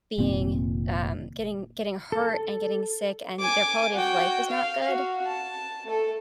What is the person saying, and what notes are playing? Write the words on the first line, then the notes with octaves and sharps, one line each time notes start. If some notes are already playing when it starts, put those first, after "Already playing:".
being, um, getting getting hurt and getting sick, and their quality of life is not good.
F1 A#2 D#3 C4
A4
G#5 D6
F#4 G5
F5
F#4
A5
A3 A4